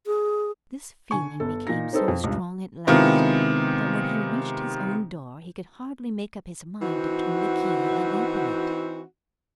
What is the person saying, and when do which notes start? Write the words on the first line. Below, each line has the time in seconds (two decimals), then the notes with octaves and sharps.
This feeling became so strong at last, that when he reached his own door, he could hardly make up his mind to turn the key and open it.
0.06 G#4
1.11 D3 G#5 C#6
1.40 G1 A4
1.67 A#2 D#4 A#6
1.93 C4 D#4 G#4 A4 B4 C5
2.08 F2
2.24 C#2 G2
2.87 C3 D#3 G#3 B3 E4 F4
6.82 E3 C4 D#4 F#4